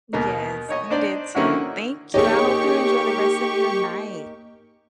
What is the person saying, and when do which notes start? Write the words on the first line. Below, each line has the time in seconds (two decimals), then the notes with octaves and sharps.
Yes, you did too. Thank you, I hope you enjoy the rest of your night.
0.13 D#2 B2 A#3 D#4
0.69 D#4 C#5 D#5
0.91 D4 D#4 C5 D5 D#5
1.35 D3 D#3 A#3 C#4 E4 F#4
2.14 A#3 D#4 G4 G#4 C#5 C#6